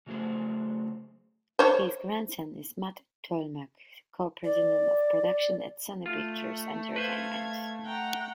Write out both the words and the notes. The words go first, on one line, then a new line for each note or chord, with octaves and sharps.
His grandson is Matt Tolmach, co-president of production at Sony Pictures Entertainment.
C#3 F#3 A3 G#4 C5
C5 C#5
D5
A3 F4
B4 C5 F5 G#6
F#5 G5 A#5